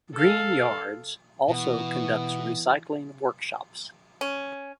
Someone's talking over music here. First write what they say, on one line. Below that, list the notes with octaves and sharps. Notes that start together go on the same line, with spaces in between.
Green Yards also conducts recycling workshops.
A4 F5
B2 E3 B3
C#4